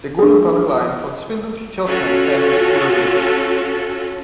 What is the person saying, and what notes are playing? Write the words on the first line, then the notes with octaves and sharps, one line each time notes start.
The Golden Valley Line from Swindon to Cheltenham passes through the village.
D4 G#4
C#4 F4 F#4 A4